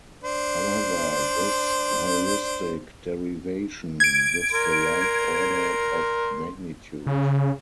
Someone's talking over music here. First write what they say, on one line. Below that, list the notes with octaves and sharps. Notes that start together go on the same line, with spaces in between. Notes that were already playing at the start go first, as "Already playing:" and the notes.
However, this heuristic derivation gives the right order of magnitude.
D4 C5
G#6 D7
A#4 C6
C#3